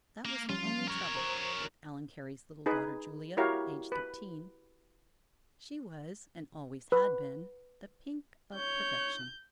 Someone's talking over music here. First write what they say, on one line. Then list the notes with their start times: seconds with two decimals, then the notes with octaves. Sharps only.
That was the only trouble with Allan Carey's little daughter Julia, aged thirteen; she was, and always had been, the pink of perfection.
0.25 A#3
0.50 F3 G3 C#4 F4
0.88 A#4 C#5
1.15 C5 A#5
2.66 D#4 G#4 B4
3.37 E4 F#4 G4 A#4 C#5 F5
3.92 B4
6.92 B4
8.55 C#5 G6